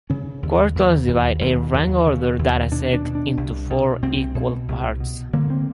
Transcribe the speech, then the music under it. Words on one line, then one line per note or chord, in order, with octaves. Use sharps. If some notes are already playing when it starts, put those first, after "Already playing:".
Quartiles divide a rank-ordered data set into four equal parts.
C#3 C#4
D#2
D#2
D#2
D#2
D#2
C#3
D#2
B2 D4
D4
B2
D4
C2
B2
C2 C4
B2
C2
B2
D3 A#3
C4